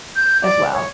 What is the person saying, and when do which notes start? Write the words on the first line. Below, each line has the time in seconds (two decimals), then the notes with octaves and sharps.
as well?
0.16 G6
0.42 D5
0.72 C#5